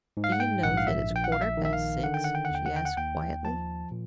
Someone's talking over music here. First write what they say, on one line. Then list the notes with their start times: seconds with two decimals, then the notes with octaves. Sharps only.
"Do you know that it's quarter-past six?" she asked quietly.
0.17 G#2
0.24 F5
0.32 F#5
0.40 G5
0.63 A#1 F#5
0.77 F5
0.87 E5
1.10 A#1
1.16 G5
1.24 F#5
1.32 F5
1.42 E5
1.57 D#3
1.65 E5
1.73 F5
2.03 D3 F#5
2.14 G5
2.24 F#5
2.35 G5
2.45 F#5
2.51 D#2 G5
2.66 F#5
2.76 G5
2.85 F#5
2.97 D#2 G5
3.45 F3 A5
3.91 A#2